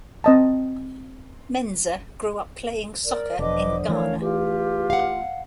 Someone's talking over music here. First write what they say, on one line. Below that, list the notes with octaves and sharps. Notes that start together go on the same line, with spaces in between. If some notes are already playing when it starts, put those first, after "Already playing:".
Mensah grew up playing soccer in Ghana.
C4 D#5 A5
A#4 D5
E1 D3 F3 B4 D#5 D6
E3 A3 A#4 C#5 F5
E2 F4 G4
F5 F#5